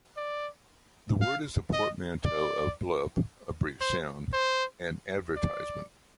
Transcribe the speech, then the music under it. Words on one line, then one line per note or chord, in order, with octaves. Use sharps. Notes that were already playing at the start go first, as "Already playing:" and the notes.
The word is a portmanteau of "blip", a brief sound, and "advertisement".
D5
F5
D#5
D5
C5
C5
D5